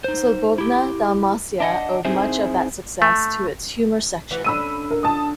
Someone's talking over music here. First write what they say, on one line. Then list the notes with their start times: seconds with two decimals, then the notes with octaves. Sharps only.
"Slobodna Dalmacija" owed much of that success to its humour section.
0.04 D#4 C5
0.58 E4 G4
1.60 D4 D#5 F#5
2.05 C4 D#4 E4 G#4 C5 E5
3.02 A3
4.31 E3 F#4
4.44 D3 C#4 D4 B5 E6 D#7
4.91 A#4
5.03 A5 D#6